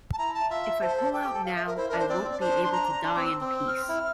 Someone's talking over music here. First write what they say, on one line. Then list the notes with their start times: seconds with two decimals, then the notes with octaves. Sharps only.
If I pull out now, I won't be able to die in peace.
0.13 A5
0.18 E4 A#5
0.34 A5
0.50 F4 E5
0.81 A4 C5
0.97 A4
1.13 A4 G5
1.24 G4
1.35 A4
1.45 F5
1.56 E5
1.67 A#4
1.77 E4 C5
1.89 D4 A#4
1.99 C5
2.09 C4 D5
2.25 C4
2.31 D5
2.40 D4 C5
2.64 C6
2.72 A#5
3.03 D4 C6
3.15 C4 D6
3.25 E6
3.41 C4
3.67 F6
3.89 E4